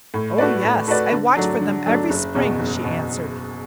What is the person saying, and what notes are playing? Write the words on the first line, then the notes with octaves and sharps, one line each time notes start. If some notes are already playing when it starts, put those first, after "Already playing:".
"Oh, yes; I watch for them every spring," she answered.
A2
A3 F#4 B4 D5
A2
A3 F#4 B4 D5
D3
F#3 A3 D4
D3
F#3 A3 D4
F#1
E2 B2
F#1
B2